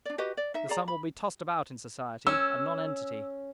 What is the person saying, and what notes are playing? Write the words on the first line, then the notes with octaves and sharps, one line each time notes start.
The son will be tossed about in society, a nonentity.
D4 D5
F#4 G4 B4 D#5
D5
D#4 E5
G#4 D5 A#5
B5
C#4 E6